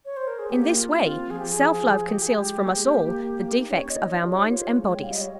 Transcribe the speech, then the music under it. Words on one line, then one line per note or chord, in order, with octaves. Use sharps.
In this way self-love conceals from us all the defects of our minds and bodies.
C#5
C5
A#4
G#4
A#3 G4
F4
C#4
C4 F4
F3 G#4
G4
G#4
F3
F3
G4
G#4
G#3 G4
A#3
G#3
A#3
D#4
C#4 C#5
D#5
F4
D#4
F4 C#5
G4
C#5
D#4
F4 C#5
C5
C#5
G#3
G5
G3 F5
D#5
C#5